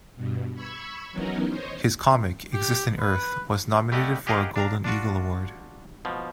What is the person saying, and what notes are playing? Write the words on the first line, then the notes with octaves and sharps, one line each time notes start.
His comic, "Existing Earth" was nominated for a Golden Eagle Award.
G2 B2
B5 C#6 E6 G#6
E3 F#3 B3 C#4 D#4 A#4
C5 C#5 D#5
G4
B4
G3 A3 G4 D#5 F#5
G4 G#4 A#4 D#5 F5 F#5
D4 F5 A#5
D4 F4 F#4
B2 F3